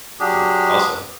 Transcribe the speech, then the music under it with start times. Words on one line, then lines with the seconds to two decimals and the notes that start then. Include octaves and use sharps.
Oh, also
0.20 F#3 D4 G4 G#4